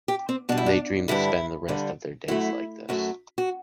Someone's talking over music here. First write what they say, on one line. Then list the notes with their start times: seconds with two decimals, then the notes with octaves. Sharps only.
They dream to spend the rest of their days like this.
0.08 G4
0.29 C4
0.49 B2 G3 D4
0.57 E4
0.66 D4
1.08 G2 D3 G3 E4
1.68 G2 D3 G3
2.28 F#2 F#3 A3 E4
2.89 F#2 F#3 A3
3.38 F#4